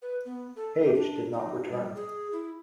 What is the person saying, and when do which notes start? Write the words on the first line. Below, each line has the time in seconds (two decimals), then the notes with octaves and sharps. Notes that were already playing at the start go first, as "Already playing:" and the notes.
Page did not return.
0.02 B4
0.25 B3
0.56 A4
0.82 G4
0.95 D4
1.33 D#4
1.71 G3
1.95 G#4
2.32 E4